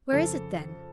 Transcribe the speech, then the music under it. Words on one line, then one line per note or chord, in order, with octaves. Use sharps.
"Where is it, then?"
F2 C#3 F3 A4